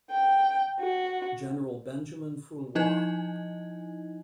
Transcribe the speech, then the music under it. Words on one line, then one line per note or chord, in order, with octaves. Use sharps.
General Benjamin Foulois.
G5
F#4
F3 D#4 E4 D#5 G#5 G#6